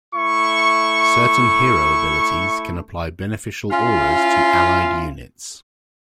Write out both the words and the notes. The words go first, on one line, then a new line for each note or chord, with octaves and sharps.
Certain hero abilities can apply beneficial auras to allied units.
A3 E4 C#6
C#4 E4 F4